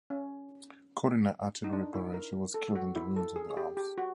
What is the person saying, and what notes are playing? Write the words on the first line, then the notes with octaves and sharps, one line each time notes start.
Caught in an artillery barrage, he was killed in the ruins of the house.
C#4
D#4
D4
E4
A#4
A4
F#4
E4
A4
G#4
G#4
G4
G4
F#4